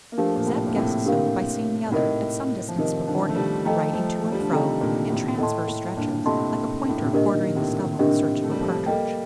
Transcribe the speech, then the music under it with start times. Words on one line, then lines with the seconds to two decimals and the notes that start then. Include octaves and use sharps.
Zeb guessed so, by seeing the other, at some distance before him, riding to and fro, in transverse stretches, like a pointer quartering the stubble in search of a partridge.
0.12 A#3
0.18 F3 A3 D4 G4 A#4 F5
0.35 A#2
0.46 A2 C3
0.67 A#2
0.76 A2 C3
1.05 D4 G4 A#4 F5
1.87 A#2
1.91 A2 C3 D#4 A#4 D#5
2.68 F3
2.78 C3 D#3 D#4 A#4 D#5
3.07 D3 F3
3.29 A3
3.36 D#3 G3
3.65 F3 A3 A4 D#5 G5 A#5
3.94 F3 A3
4.24 F3
4.32 G3
4.39 D3 F3
4.52 C3 D#3 A4 D#5 G5 A#5
4.80 A#2 D3
5.10 A2 C3
5.38 A2 A4 D#5 A5 C6
5.68 A2
5.97 G2 A#2
6.26 A2 C3 A4 D#5 A5 C6
6.82 G2
6.89 A2
6.98 A#2
7.05 C3
7.12 A#2 D3 D4 G4 A#4 D#5
7.32 D#3
7.44 D3
7.56 A2 C3
7.94 D3
7.99 A2 C3 D4 G4 A#4 D#5
8.42 A3
8.51 G3
8.61 F3 A3
8.86 G3 A#3 A4 D#5 G5